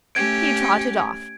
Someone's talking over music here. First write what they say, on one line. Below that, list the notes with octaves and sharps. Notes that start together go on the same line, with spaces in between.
He trotted off.
A3 C#4 G4 G#6 D7